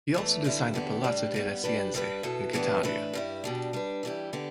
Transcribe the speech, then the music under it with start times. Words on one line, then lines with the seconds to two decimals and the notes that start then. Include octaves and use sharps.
He also designed the Palazzo delle Scienze in Catania.
0.14 E2 E3 A3
0.44 G2 D3 G3 E4
0.74 E2 D3 B3 G4
1.04 A2 G3 D4 G4 B4
1.34 G2 G3 B3
1.64 G3 D4 G4 B4
1.94 G2 G3 D4 G4 B4
2.23 B2 B3 E4 A4
2.53 A2 E3 B3 D4 G4
2.83 A2 E3 A3 D4 B4
3.13 G2 G3 E4
3.44 B2 G3 D4
3.73 G3 D4 B4
4.03 E3 G3 E4 G4
4.33 D3 B3 G4